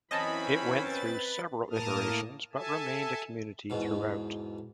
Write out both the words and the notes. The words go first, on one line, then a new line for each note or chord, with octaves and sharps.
It went through several iterations but remained a community throughout.
F#2 E3 C4 C#4 D#5 A5 B5
B4 A6
A2 A#3 A#4 A5 D#6 F6
A4 E5 G#5 A5
E2 G#2 B2